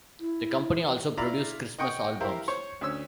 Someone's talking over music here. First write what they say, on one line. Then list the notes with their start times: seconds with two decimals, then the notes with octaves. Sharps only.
The company also produced Christmas albums.
0.20 E4
1.17 E4 F4 D5 A#5 B5
1.78 D#5 F#5 G5 C#6 D#6
2.20 E4 G4 A#4 C5 F5
2.48 C5 C#5 C#6
2.81 D2 C#4 E6